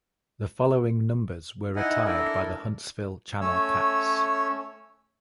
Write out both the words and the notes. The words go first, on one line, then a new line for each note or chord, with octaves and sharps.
The following numbers were retired by the Huntsville Channel Cats.
D#4 E4 D#5 F#5 G#5
D4 E4 A4 A#4
A3 C#4 C#5 E6